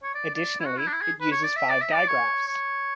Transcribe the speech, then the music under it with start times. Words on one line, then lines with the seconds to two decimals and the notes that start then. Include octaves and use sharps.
Additionally, it uses five digraphs.
0.03 C#5
0.15 D5
0.34 D5
0.60 E4
0.66 F#4
0.79 E4
0.87 D4
0.93 E4
1.01 G#4
1.21 B4
1.31 C#5
1.43 D5
1.56 E5
1.69 D5
1.81 E5
1.94 D5
2.07 C#5
2.47 C#5